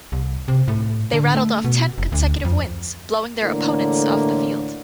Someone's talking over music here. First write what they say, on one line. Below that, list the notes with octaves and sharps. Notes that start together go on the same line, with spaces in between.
They rattled off ten consecutive wins, blowing their opponents off the field.
C2
C3
A2
D3
A3
B2
F#1
D2
F2
A2 D3 E3 A#3